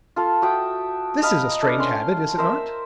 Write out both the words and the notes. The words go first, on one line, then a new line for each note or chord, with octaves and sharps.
This is a strange habit, is it not?
F4 A4
F#4 E5 G5 D#6
D#5 F5 A#5 B5
A3 D4 B4
C#4 C6
A#4 C5 E5